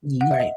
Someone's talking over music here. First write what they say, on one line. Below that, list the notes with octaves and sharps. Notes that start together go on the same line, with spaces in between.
You right.
F#5
E5
D#5